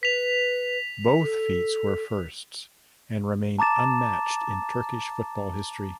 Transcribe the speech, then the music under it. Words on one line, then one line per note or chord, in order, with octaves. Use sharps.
Both feats were firsts, and remain unmatched in Turkish football history.
B4 B6 F7
A4
A5 A#5 D6 A6 E7